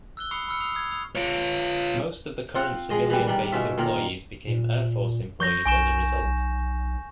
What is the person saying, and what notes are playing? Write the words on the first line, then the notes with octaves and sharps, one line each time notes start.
Most of the current civilian base employees became Air Force employees as a result.
E6 F#6 G7
B5 C#6 D#6 C7 C#7 F7
B5 C#6 E6 F6 C#7
D#6 E6 C7 F7
D#6 G#6
D#6 F7
F4 C#5
C4 F4 C5 F#5
F3 G#3 D#5
E3 G3
D#3 G3 D4
B2 C#4 F4 E5
A#2 D#3 F4 A#4
A#2
F3 C#6 G6 A#6
B1 G#5 C#6 E7
B1